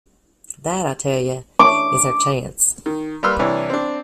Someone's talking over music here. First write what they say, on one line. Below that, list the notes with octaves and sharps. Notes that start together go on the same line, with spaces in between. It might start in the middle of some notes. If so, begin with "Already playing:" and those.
That, I tell you, is our chance.
D6
D#3
G3 A#3 B4 C6 E6 F6
C2 E3 D4 C#5
C4 D4